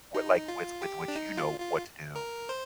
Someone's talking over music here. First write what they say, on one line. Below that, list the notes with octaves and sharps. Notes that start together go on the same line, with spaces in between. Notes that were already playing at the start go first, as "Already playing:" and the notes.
what, like, with with which you know what to do
D#4
F4
G4
D4
D#4
F4
F4
A#4
C5